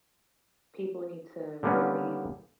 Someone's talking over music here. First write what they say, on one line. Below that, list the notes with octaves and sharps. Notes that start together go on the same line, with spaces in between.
people need to really
D3 G3 A#3 B3 C#4